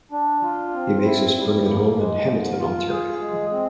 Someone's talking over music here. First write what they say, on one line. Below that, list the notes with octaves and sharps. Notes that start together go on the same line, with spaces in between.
He makes his permanent home in Hamilton, Ontario.
D4
F4
C4
E4
G3
A#3
G#3
G#2
F4
G#4
G#3
C4